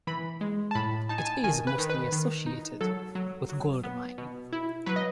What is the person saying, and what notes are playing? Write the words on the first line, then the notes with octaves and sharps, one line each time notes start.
It is mostly associated with gold mining.
E3 B5
G#3
A5
A2 B5
D#4 A5
G#5
A5
D#3 G#5
B4
D#3
B4
D#3
D#4
F#3 A4
F#3
F#3
B3
B2
E4
F#3 B4
D#5